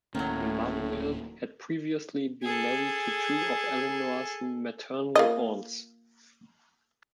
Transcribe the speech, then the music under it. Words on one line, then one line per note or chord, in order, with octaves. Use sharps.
Manuel had previously been married to two of Eleanor's maternal aunts.
D1 A2 D#3 F#3 A#3 C#4
G#4 A4
A#3 F4 D#5